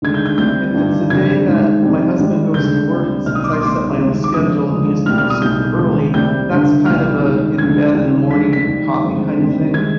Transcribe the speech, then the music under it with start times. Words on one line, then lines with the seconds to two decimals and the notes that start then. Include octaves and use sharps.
if it's a day that my husband goes to work, since I set my own schedule and he has to go super early, that's kind of a in-bed, in-the-morning-with-the-coffee kinda thing,
0.02 D#2 D3 G#3 G#6
0.14 G6
0.26 G6
0.38 C2 C3 G3 G6
0.74 G1 G2 D#3 G3
1.10 F2 D3 G3 G#6
1.46 G#1 G#2 D#3
1.82 F2 C3 D#3 G3
2.18 G#1 G#2 G3
2.54 D2 D3 G#3 G6
2.90 D2 C3 G3
3.26 B1 B2 G3 F6
3.35 D#6
3.44 D6
3.53 C6
3.62 B1 B2 G3 D6
3.98 D#2 D#3 G#3
4.24 D6
4.34 F2 D3 F3 G#3 D#6
4.70 D#2 D3 F3 G#3
5.06 C2 B2 G3 F6
5.18 F6
5.30 D#6
5.42 B1 B2 G3 G6
5.78 D#2 D#3 G#3
6.14 C2 C3 G3 G6
6.50 G1 G2 D3
6.86 B1 B2 G3 F6
7.22 D#2 D#3 G#3
7.58 D2 D3 F3 G#3 G#6
7.94 D#2 D#3 G3
8.30 D2 D3 F3 G#3 B6
8.53 B6
8.66 F1 D#2 D#3 G3
9.02 G1 F2 D#3 G#3
9.38 D2 C3 D#3 G3
9.74 D#3 G#3 G#6